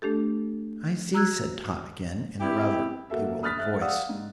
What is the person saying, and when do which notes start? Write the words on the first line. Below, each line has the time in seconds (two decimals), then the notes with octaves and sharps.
"I see," said Tot again, in a rather bewildered voice.
0.02 A3 D4 G4 A4
1.13 F#4 A#5 E6 F#6 G#6
2.41 C4 E4 G4
3.10 A#3 F#4 A4 E5
3.43 B5 D#6 F6 F#6 A6 B6
3.57 E5 F#6 A6
3.81 G4 D5 F5 F#5 D#6 E6
4.09 G#2